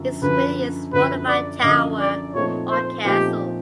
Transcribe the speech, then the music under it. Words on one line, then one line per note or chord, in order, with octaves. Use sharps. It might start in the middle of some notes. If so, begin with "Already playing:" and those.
Its meaning is "fortified tower" or "castle".
Already playing: F#2 D3 F3
F#2 D3 F3 B4
F#2 D3 F3 B4
D5
F#2 D3 F3 D#5
D5
A#2 F3 A3 C4 D#4 C#5
C5
A#2 F3 A3 C4 D#4 G4